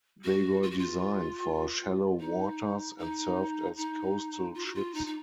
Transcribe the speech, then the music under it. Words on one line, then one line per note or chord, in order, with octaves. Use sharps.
They were designed for shallow waters and served as coastal ships.
F#4
F4
F#4
F4
D#4
D#4
D#4
F4
F#4
F4
D#4
D#4